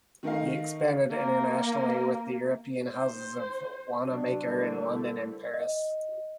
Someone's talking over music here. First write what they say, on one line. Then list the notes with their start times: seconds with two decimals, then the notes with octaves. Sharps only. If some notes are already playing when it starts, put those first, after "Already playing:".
He expanded internationally with the European Houses of Wanamaker in London and Paris.
0.23 D#3 A3 A#4 D#5 F5
1.10 A#3
2.92 C5
4.06 C3 F#3 D4
4.43 D3 G3 A3 E4 A#4 C5
5.54 D#5